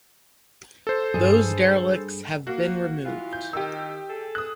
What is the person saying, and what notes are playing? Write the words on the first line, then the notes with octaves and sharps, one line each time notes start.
Those derelicts have been removed.
A4 C5
G2 G#4
A#3 F#4
E3 F4
G6
D#3 G4 E6
G#4 A4
D#6 F#6